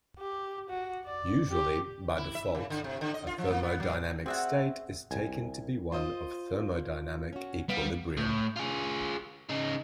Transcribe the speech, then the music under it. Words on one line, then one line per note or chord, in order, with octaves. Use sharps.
Usually, by default, a thermodynamic state is taken to be one of thermodynamic equilibrium.
G4
F#4
D5
G4
E4
E5
C#3
D3
C3
D3
D#5
F4
F3
A#3
B3
F#3
C4 F#4 G#4 D5 E5 F#5
C2 G#5
F4 C5 D#5
C#4 F#4
G3 B3 F5
A2
F4 G#4
C#3 D#4